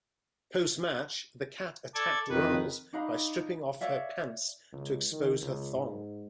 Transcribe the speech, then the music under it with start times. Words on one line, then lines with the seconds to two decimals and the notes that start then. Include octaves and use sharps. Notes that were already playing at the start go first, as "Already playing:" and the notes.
Post-match, The Kat attacked Runnels by stripping off her pants to expose her thong.
1.94 A4 D5 G#6
2.30 F2 D#3 B4
2.93 D4 D#4 F5 B5
3.81 C#5 D5 E5 F5
4.73 C#2
5.12 D#3
5.41 C#2
5.76 G#2